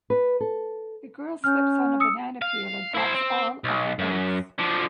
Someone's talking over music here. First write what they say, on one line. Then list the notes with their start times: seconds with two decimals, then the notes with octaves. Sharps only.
The girl slips on a banana peel and drops all of the eggs.
0.10 B4
0.40 A4
1.44 C#4 F6 G6
2.00 D#6 E6 C#7
2.42 F5
2.94 E4 C5
3.14 C4
3.64 B1
3.99 F#2
4.58 D3 F3